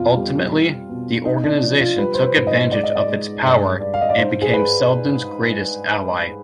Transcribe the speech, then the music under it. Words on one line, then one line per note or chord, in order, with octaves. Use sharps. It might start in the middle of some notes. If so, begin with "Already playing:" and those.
Ultimately, the organization took advantage of its power and became Selden's greatest ally.
Already playing: F2 B2 F4
G3
G3
B2
C3 D#4
D4
F3 D4
F4
G3 B4
C5
B4
G#2
D#5
G#3 D5
D#5
D5
G#3
G2
G2
F5
D#5
D5
G#2 C5
G#4
B4